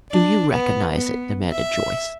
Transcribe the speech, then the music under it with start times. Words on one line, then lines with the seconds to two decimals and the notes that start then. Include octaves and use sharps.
"Do you recognize it?" demanded Joyce.
0.11 D4
0.50 B3
0.94 B3
1.52 E5